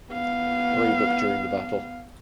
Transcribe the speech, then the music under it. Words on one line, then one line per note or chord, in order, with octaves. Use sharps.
Roebuck during the battle.
B3 F5